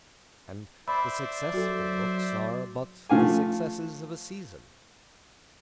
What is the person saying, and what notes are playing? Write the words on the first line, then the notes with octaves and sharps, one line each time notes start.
And the successful books are but the successes of a season.
C5 D5 E5 B5
F#3 F#4 A4
F3 A3 F5 G#5